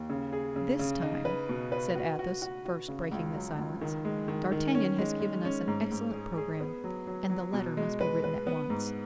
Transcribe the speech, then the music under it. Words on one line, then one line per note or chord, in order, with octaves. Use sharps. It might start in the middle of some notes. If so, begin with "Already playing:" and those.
"This time," said Athos, first breaking the silence, "d'Artagnan has given us an excellent program, and the letter must be written at once."
Already playing: D#2
C#3
G#4
C#3
C#3
D#4
B4
B2
B4
F#4
F#4
F#4
F#4
C#3
C#2
F#3
C#2
D#3
G#3
D#3
D#3
C#4
G#3
G#3
C#4
G#2
G#2
G#4
G#4
B3
F#3
F#3
F#3
B2
G#3
B4
B4
B3
G#2